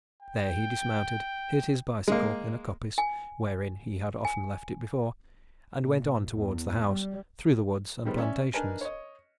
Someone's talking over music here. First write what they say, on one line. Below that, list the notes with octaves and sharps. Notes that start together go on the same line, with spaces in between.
There he dismounted, hid his bicycle in a coppice wherein he had often left it before, and went on towards the house through the woods and plantations.
G5
G#3 A#3
G#5
G#5
A#2
E2
G3
D#3 F3 G3 G#3 B3
C#4 D5 E5 G#5
D4 D#4 A#4 B4 G#5 A5
C#5 D#5